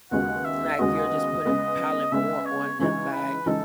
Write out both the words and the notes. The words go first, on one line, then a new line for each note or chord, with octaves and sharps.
like, you're just putting piling more on them by,
D#2 C#3 G#3 B3 F#4 F#5
E5
D#2 C#3 G#3 B3 F#4 D#5
C#3 G#3 B3
C#3 G#3 B3 E5
C#5
C#3 E3 G#3 D#4 C#5
B4
C#3 E3 G#3 D#4 A4